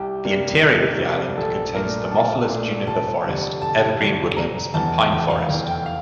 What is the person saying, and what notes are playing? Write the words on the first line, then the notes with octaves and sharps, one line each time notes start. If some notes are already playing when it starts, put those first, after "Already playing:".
The interior of the island contains thermophilous juniper forest, evergreen woodlands and pine forest.
Already playing: C2 G4
C3 G3 A#3 D4
C2
C3 G3 A#3 D4
A#1 A4
A#2 A3 D4 A#4
A#1 A5
A#2 A3 D4
F1 A5
F2 D3 G3
F1 A5
F2 D3 G3
F1 A#5
E2 E3 A5
F1 G5
F5
E2 E3 G5
G5
F5